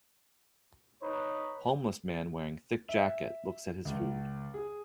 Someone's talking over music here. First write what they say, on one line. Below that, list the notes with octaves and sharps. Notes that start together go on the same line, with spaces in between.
Homeless man wearing thick jacket looks at his food.
D#4 B4 C#5
E5
C#2
G#4